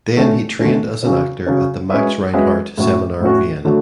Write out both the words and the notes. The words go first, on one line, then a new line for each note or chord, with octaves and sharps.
Then he trained as an actor at the Max Reinhardt Seminar Vienna.
D3 A3 C#4
D3 A3 C#4
C#3 F#3 C#4
C#3 F#3 C#4
G#3 C#4 F#4 B4 E5
G#3 C#4 F#4 B4 E5
A2 F#3 C#4 F#4
A2 F#3 C#4 F#4
D3 F#3 A3